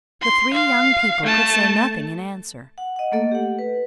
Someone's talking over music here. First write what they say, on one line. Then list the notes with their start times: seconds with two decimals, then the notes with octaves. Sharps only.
The three young people could say nothing in answer.
0.21 C6
0.54 F5
1.24 A3 A5
2.78 F#5
2.96 D#5 F#5
3.12 A3 A#3 A4 D#5
3.32 G4 F#5
3.59 B4